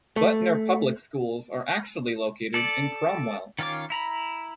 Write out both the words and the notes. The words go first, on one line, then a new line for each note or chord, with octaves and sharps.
Butner Public Schools are actually located in Cromwell.
A3
A4 D5
D#3 C#4 F4 C#5 D6
E4 A#5 B5